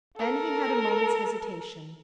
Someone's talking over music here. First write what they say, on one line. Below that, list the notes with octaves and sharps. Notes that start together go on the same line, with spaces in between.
Then he had a moment's hesitation.
A4 A#4